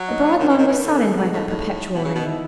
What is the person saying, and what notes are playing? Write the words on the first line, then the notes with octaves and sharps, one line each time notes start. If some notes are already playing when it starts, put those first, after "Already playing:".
The broad lawn was soddened by that perpetual rain.
Already playing: F#3
D#4
C#4
D#3 C#4
E3
D#3 D#4
E3 B4
D#3
A4
D#3 G#4
B2 F#4
A2 D#4
A2
B2
C#3
B2 D#4
E4